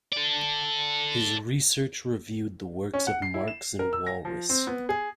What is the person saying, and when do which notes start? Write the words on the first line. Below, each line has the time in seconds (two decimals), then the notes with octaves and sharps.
His research reviewed the works of Marx and Walras.
0.12 A4 D5
2.94 C#4
3.07 F#5
3.22 C7
3.34 E4
3.48 E7
3.79 A#4
3.93 E6
4.07 A#6
4.25 F3
4.49 C4
4.67 B3
4.89 G#4